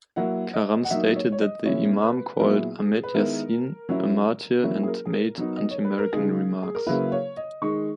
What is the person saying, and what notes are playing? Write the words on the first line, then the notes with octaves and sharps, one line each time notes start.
Karam stated that the Imam called Ahmed Yassin a martyr and made anti-American remarks.
F#3 A#3 E4 F#5
D#5
F#5
F#3 A#3 D#4 E5
C#5
C#5
D#5
A#2 G#3 C#4 E4 C#5
B4
A#2 F#3 B3 E4 A#4
G#4
G#4
B4
D#3 G#3 B3 E4 A#4
F#3 C#4 E4
F#3 A#3 C#4 E4
G#4
A#4
G#4
A#4
F#3 B3 D#4
D#5
C#5
B4
A#4
C#3 G#3 D#4 G#4
G#4
A#4
C#3 F#3 A#3 E4 B4
C#5
D#5
D#3 G#3 D#4 C#6